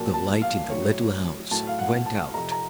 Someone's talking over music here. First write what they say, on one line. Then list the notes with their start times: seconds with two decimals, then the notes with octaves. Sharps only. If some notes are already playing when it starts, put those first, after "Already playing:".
The light in the little house went out.
Already playing: A#2 F#3 A5
0.14 A5
0.42 F5
0.69 A2 F#3 C#5
1.51 A2 F#3 A5
1.67 F5
1.79 F#5
2.06 A5
2.34 F2 C3 F3 A#5
2.51 A#5